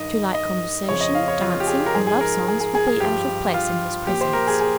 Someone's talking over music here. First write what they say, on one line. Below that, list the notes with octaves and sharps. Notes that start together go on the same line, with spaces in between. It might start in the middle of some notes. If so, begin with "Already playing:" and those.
Too light conversation, dancing and love songs, would be out of place in his presence.
Already playing: G2 D#3 D#5
D#5
F2 C#3 F3 C#5
D#5
F5
C#5
F4
G4
G#4
A#4
G#2 F3 G#4
G#4
A#4
G#4
G#4
G#4
G#4
G2 F3 G4
F4
A#2 F3 G4
C5
A#4
G#4
G#4